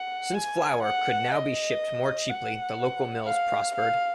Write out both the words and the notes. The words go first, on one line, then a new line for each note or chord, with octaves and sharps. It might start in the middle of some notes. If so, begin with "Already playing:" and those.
Since flour could now be shipped more cheaply the local mills prospered.
Already playing: F#5
G#5
F#5
D#5
F#5
F5
F5